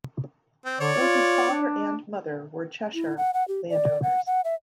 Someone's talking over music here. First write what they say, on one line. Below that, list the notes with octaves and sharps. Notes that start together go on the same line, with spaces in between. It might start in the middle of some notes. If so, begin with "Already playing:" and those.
Both his father and mother were Cheshire landowners.
C4
D3 C#5 D5
F4
D4
E4
F#5
F#5
G4
D5
F#5
F#5
E5